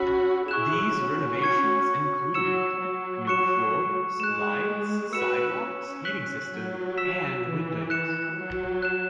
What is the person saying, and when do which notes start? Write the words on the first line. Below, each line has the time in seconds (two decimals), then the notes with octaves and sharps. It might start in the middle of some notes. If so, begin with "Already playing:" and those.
These renovations included new floors, lights, sidewalks, heating system, and windows.
Already playing: C#4 F#4 B5 E6 B6
0.48 E4 G#4 C#6 F#6 E7
0.95 C#4 F#4
1.42 C#6 G#6 C#7
2.34 F#3 E6 C#7 E7
2.81 F#3
3.27 C#6 F#6 C#7 E7
4.20 G#3 F#6 E7
5.12 F#4 B4 E6 C#7 E7
5.59 C#4
6.05 F#6 B6 F#7
6.51 F#3
6.97 E6 B6 E7
7.44 E3
7.90 F#6 C#7 E7
8.36 F#3
8.82 F#6 E7